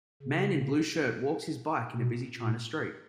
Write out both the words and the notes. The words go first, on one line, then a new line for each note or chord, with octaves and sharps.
Man in blue shirt walks his bike in busy China street.
C#3
B2
A#2